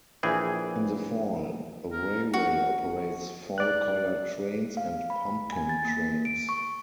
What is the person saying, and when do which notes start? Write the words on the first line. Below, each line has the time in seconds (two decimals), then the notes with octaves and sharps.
In the fall, the railway operates fall color trains and pumpkin trains.
0.23 A#1 E3 G#4 G5
1.92 A#4
2.33 F#4
3.58 D5 F#6
4.77 F5
5.10 B5
5.52 G#5
5.69 A6
5.85 A#3
6.25 D7
6.49 C#6